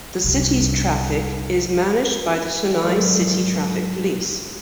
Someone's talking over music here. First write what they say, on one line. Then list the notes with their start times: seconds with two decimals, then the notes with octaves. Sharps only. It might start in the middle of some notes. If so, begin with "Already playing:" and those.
The city's traffic is managed by the Chennai City Traffic Police.
0.24 C2 G3
2.83 G#2 F#3 A4 A#4 D5